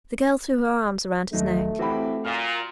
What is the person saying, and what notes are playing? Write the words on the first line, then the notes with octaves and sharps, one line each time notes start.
The girl threw her arms round his neck.
D#2 F#3 A3 D#4
E3 C4 F#4 G4 B5
A#2 F6